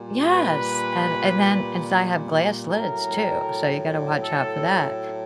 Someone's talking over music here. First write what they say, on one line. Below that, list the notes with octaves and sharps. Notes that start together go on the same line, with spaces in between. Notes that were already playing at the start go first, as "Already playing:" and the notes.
Yes, and and then and so I have glass lids too, so you gotta watch out for that,
Already playing: A#2 G3
B4
A2 F#3 A#4
A4